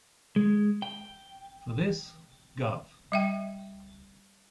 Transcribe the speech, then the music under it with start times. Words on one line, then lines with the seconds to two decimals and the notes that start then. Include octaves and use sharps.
For this, Gov.
0.36 G#3
0.82 G5
3.12 G3 E5 G5